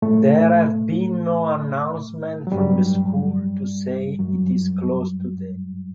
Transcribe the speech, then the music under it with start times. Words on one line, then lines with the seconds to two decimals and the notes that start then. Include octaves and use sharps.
There have been no announcements from the school to say it is closed today.
0.02 A2 A3
2.47 F#3
2.52 G2 G3
4.19 F#2 F#3